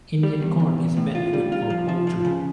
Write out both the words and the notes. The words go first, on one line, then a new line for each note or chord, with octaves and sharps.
Indian corn is bad food for poultry.
G3
E2
E2
E2
A2
F4
G3
F4
F3
F3
F3
C#3